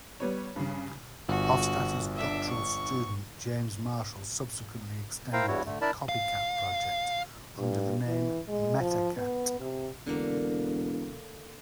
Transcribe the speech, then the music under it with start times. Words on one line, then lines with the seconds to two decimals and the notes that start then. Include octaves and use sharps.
Hofstadter's doctoral student James Marshall subsequently extended the Copycat project under the name "Metacat".
0.20 G3 B3 C#5
0.56 G2 C#3
1.28 G1 F#4
2.15 D4 E5
2.49 C#6
5.33 E4 A#4 C5 F5 G5 A#5
5.48 E2 G2 G3 E4 F#4 C#5
5.66 D3 A3
5.81 D4 E4 A#4 D5 A5 B5
6.09 F5
7.58 G2
8.07 E3
8.48 G#3
8.80 F3
9.17 B3
9.60 C3
10.06 E1 D3 A#3